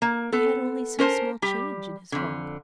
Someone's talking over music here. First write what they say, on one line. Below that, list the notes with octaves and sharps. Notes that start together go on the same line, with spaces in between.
He had only some small change in his fob.
A#3
B3 A4
C#4 A#4 C5 A5
G3 G4
F2 D3